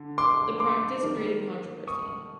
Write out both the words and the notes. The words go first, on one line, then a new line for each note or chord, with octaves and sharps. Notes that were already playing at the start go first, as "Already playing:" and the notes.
The practice created controversy.
Already playing: D3
C6 D6
C6 D6
D#3 G3 A#3
C#6 D#6